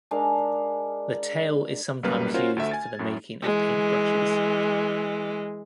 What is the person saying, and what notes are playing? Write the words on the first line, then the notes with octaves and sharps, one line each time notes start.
The tail is sometimes used for the making of paintbrushes.
G#3 D4 A#4 F5
B1 F#2 G3 A#3 B4 F6
C#4 F4 F#4 A#4 C5 C#5
D2 A3 E5
G#5 A6
F#2 A2
E3 G#3